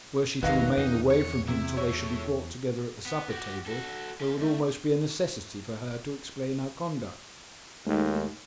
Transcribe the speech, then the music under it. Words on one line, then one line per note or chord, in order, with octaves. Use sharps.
Were she to remain away from him till they should be brought together at the supper-table, there would almost be a necessity for her to explain her conduct.
G#1 E2 D#3 F#3 B4 D#5 F5
E2 D#4
C#5
C3 E4
A3 E4 C#5
B3
F#4 G4
F#4 A4
C#4 C6
E2 A3
D#2 G#3 A3 D#4